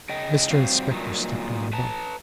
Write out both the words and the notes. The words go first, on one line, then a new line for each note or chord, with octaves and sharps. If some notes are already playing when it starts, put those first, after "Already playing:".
Mr Inspector stepped into the boat.
C#3 D#5 G5
G3 C4 F#4 C5 C#5 F5
G2 A#2 D#3 F#3
B4 A5 A#5